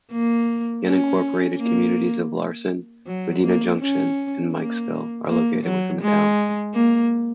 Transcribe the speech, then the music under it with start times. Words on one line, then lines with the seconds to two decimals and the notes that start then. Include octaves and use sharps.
The unincorporated communities of Larsen, Medina Junction, and Mikesville are located within the town.
0.12 A#3
0.85 C#4
1.59 A#3
3.06 F#3
3.43 A#3
3.80 C#4
4.53 A#3
5.27 A#3
5.64 F#3
6.01 G#3
6.74 A#3